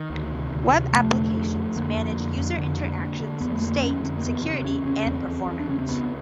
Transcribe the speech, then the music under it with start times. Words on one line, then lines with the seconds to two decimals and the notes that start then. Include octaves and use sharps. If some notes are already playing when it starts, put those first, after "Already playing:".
Web applications manage user interactions, state, security, and performance.
Already playing: D#3
0.10 D2
0.31 C3
0.51 D2
0.72 C3
0.93 F2 A3
1.14 D3
1.34 F2
1.55 F2
1.76 D3 A#3
1.97 F2
2.18 D3
2.38 F2
2.58 D3
2.79 D3
3.00 D3
3.20 D3
3.40 F2 B3
3.52 A3
3.61 D3 A#3
3.82 F2 C#4
4.03 D3 C4
4.18 A#3
4.24 E2 B3
4.44 C#3 C4
4.65 E2 C#4
4.85 C#3 C#4
5.06 E2 C4
5.28 E2
5.47 E2
5.60 D4
5.69 C#3 C#4
5.79 C4
5.88 C#2 B3